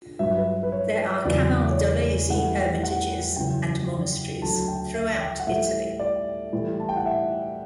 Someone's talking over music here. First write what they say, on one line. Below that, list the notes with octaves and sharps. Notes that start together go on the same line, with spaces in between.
There are Camaldolese hermitages and monasteries throughout Italy.
G2 F#3 E5
B4
B4
C#5
E2 C#3 F#3 D5
C#5
D5
A2 E3 G3 F#5
G5
F#5
F#2 C#3 E3 G5
D2 D3 F#3 A5
G5
E5
G5
F#5
A2 G3 E5
D5
A2 E3 G3
A5
G5
F#5
E5